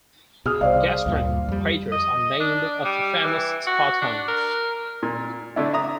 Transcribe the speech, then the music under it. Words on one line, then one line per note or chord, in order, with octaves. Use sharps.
Gaspran craters are named after famous spa towns.
B2 G#4 D#6 F6
C2 C5 D5 F5
D2 G2 A#2
F2 G3
D#5
D4
G3
E3
F#4
D4
A#4
A#2
D3 A3 D4 E4
E5 A#5 D#6